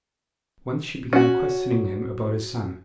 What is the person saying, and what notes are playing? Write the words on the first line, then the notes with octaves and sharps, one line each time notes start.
Once she began questioning him about his son.
C#4 F#4